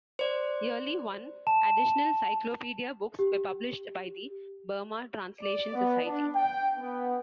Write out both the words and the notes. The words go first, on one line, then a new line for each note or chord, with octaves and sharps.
Yearly one additional cyclopedia books were published by the Burma Translation Society.
C5 D5
A5
G4
D5
B3
D4
G5
B3